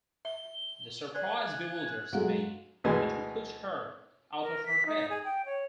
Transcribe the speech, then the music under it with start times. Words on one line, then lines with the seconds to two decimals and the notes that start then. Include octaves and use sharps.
The surprise bewilders me — it will put her out of her head!
0.25 E5 G7
1.15 B4 D5 G#5 F#6
2.13 F#3 G#3 A4 F5 F#5
2.84 D2 B2 E3 G#3
4.40 A#4
4.66 B6
4.86 D#4
5.09 G#4
5.24 G5
5.45 C#5